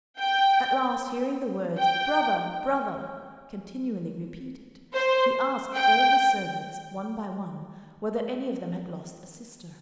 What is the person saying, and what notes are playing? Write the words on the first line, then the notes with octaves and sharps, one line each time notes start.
At last, hearing the words "Brother, brother!" continually repeated, he asked all his servants, one by one, whether any of them had lost a sister.
G5
G5
C5
G5